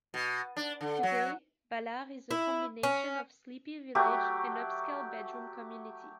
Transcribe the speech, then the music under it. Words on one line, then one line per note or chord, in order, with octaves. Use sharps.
Today, Ballard is a combination of sleepy village and upscale bedroom community.
B2
D4
D3
F#3
E4
C#4
F#3 A3 G4